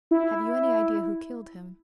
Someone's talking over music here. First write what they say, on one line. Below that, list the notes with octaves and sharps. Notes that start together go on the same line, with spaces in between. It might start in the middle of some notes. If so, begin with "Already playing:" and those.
"Have you any idea who killed him?"
E4